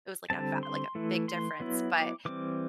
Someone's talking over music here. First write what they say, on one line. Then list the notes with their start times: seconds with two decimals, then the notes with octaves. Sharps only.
it was, like, a va like a big difference. But
0.30 D3 G3 C4 A5
0.63 C6
0.95 E3 A3 E4
1.28 C6
1.60 F#3 B3 E4
1.92 D6
2.25 E3 G3 C4 D6